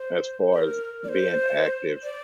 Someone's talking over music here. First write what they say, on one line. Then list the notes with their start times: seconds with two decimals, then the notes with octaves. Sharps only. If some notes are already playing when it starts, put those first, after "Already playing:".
as far as being active,
Already playing: C5
0.54 A#4
1.04 D5
1.09 C5
2.03 D5